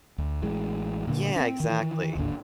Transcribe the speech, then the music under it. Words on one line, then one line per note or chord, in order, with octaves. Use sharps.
Yeah. Exactly.
D2
A1 E3 G#3
A#2 D3 D#3 A#3
C4 D4
D#3 E3
D1 G#1 D#2 D3